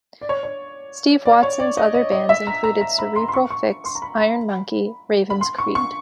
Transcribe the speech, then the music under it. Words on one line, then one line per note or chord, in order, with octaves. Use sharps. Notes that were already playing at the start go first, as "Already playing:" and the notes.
Steve Watson's other bands included Cerebral Fix, Iron Monkey, Ravens Creed.
D5
C#5
C#5
D5
C#5
D5
D#5
D#5
D#5
E5
A#5
A#5
A#5
B5
C6
C6
C#6
C#6
C6
A#5
B5
A#5
B5
B5
C6
C#6
C#6